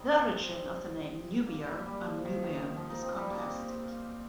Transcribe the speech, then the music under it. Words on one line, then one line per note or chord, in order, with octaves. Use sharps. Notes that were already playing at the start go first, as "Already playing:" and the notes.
The origin of the name "Nubia" or "Nubian" is contested.
Already playing: G3 C4 D#4
C4
A#3
G3
G3
F3
D#3
D#3
D#3
F3
D#4
C4
G3
A#3
C4